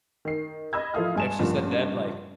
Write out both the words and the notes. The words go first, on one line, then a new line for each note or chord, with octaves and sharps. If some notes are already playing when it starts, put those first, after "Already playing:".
And she said then, like,
D#3 C7
D#5 B5 E6 G#6
F3 E4 A4 F5 D#6 F6
G2 G#3 G#5 A5 E7
A1 G2 A#2 C#3 F3